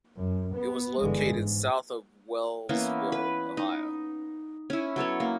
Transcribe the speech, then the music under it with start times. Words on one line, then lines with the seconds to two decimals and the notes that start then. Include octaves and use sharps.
It was located south of Wellsville, Ohio.
0.17 F#2
0.55 B3
1.00 G1 D3 E3 G#3
1.35 G#2
2.69 E3 A#3 B3 C#4
3.12 B4
3.57 D#4
4.70 C#4 E4
4.96 F#3 B3 A4 C#5
5.20 A#3